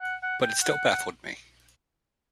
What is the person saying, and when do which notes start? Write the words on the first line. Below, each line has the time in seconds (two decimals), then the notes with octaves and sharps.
But it still baffled me.
0.01 F#5
0.23 F#5
0.42 G5
0.62 F#5